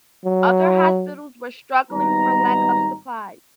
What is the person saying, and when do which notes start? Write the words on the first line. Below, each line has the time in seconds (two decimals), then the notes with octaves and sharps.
Other hospitals were struggling for lack of supplies.
0.25 F#3
1.91 G#1 G3 B3 D#4 A#5